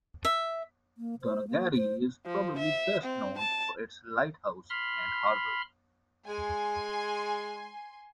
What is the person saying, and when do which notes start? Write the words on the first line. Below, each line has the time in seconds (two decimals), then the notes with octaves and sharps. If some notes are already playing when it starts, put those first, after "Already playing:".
Donaghadee is probably best known for its lighthouse and harbour.
0.25 E5
0.97 A#3
1.22 C5
1.48 A#3
1.76 C5
2.26 F3
2.58 E5
3.04 C4
3.38 A5
4.70 B5 C6 F6
6.27 G#3 G#5 C6